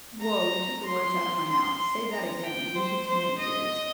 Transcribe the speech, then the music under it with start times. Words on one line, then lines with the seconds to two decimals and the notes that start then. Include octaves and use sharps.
Whoa, you took the words outta my mouth. Say that again. Music to my ears.
0.22 A#5
0.86 C6
1.49 C6
2.12 A#5
2.44 G5
2.75 C5
3.07 C5
3.39 D#5